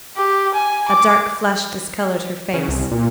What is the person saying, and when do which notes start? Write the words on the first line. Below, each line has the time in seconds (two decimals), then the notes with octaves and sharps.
A dark flush discolored her face.
0.17 G4
0.54 G#5
0.88 D6
2.53 C#3
2.68 C2
2.91 A#2